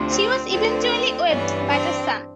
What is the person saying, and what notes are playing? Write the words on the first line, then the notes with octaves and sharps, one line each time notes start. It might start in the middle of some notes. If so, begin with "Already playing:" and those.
She was eventually waived by the Sun.
Already playing: D2 C3 F3
C4
D2 D3 F3 C4
G2 E3 G3 B3 C#4
C4 D4